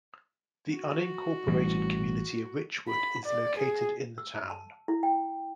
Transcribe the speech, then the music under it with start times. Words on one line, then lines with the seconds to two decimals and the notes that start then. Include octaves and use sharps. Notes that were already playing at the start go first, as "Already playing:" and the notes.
The unincorporated community of Richwood is located in the town.
0.75 F#4
1.47 A1 E3 G3
2.89 B5
3.26 D5
3.58 G#4
4.18 E6
4.50 A5
4.88 E4
5.03 G5